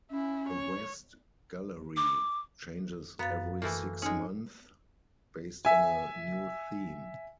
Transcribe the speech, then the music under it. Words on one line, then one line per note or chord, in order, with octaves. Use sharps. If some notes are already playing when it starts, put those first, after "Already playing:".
The West Gallery changes every six months based on a new theme.
C#4 E4
C#5
D6
F#2 B3 F5 A6
E3 A3 A#3
G#3 C#4 D#4
E5 G#5